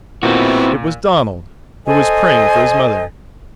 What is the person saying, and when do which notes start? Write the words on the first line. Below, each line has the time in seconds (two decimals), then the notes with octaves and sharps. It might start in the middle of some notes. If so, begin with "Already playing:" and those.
It was Donald who was praying for his mother.
0.23 A#2 B3 C4 E4 F#4
1.86 A4 C5 D#5 G#5